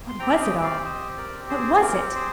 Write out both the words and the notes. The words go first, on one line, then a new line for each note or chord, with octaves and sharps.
What was it all--what was it?
C6
C4 G4 G5 A#5
F5
D#5 G5
G5
D5 F5
C5 D#5
A#4 D5
G#4 C5
A#4
G#4 C5